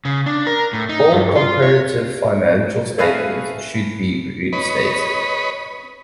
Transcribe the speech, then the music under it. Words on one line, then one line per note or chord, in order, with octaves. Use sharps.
All comparative financial statements should be restated.
C#3
D4
A#4
A2
D#4
G2
F4
C#5
A3 G#4 B4 F5
B4 C#5 D#5 B5